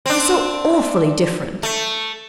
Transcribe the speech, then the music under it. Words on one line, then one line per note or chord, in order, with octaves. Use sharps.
They're so awfully different!'
C4 D4
A3